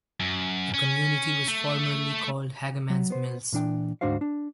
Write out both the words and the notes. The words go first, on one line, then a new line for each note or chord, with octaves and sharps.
The community was formerly called Hagamans Mills.
F#2
C#4
A3
F#3
B3 C5
A#2 E3 D4 G5
D2 G#2 D4 F#4 C5 F5
D4